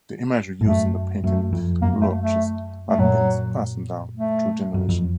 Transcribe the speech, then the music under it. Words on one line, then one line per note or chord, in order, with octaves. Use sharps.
The imagery used in the painted lodges has been passed down through generations.
A2
F#2 A3
F#2 A3
F2
F#2 A#3
A3
A3
A3
F#2 A#2 F#3
A3
F#2
F2